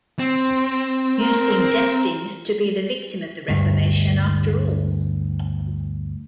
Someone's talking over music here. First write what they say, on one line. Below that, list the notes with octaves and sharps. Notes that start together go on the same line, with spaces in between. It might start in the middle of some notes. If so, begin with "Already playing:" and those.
You seem destined to be the victim of the reformation, after all.
C4
A#4
D2 G2